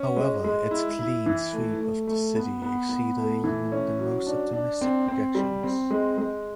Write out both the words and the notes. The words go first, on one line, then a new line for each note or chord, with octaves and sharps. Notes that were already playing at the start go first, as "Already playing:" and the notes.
However, its clean sweep of the city exceeded even the most optimistic projections.
Already playing: C#4
G#3
G#3
E4
E4
E3
A3
A3
A3
B3
B3
B3
A3
E3
C#4
F#3
D4
D4
C4
C4
G3
C4
G#3
G#3